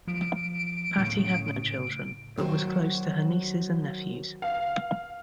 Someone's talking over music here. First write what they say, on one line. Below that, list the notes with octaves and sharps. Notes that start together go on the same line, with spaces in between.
Patti had no children, but was close to her nieces and nephews.
F3 D7
A2 C#3
D#3 F#3 F#4 C5
F5